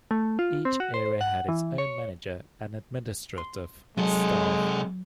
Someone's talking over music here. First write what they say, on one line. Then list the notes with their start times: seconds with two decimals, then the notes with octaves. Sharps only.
Each area had its own manager and administrative staff.
0.11 A3
0.39 F4
0.65 C4
0.80 F#4
0.94 C5
1.21 F#5
1.48 E3
1.78 C#5
3.38 C6
3.97 C3 F#3 G#3 A4